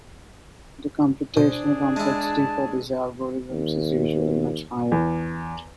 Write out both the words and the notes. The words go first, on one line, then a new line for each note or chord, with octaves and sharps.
The computational complexity for these algorithms is usually much higher.
B2 D4 G#4 C5
G#3 E4 A5
D#2
E2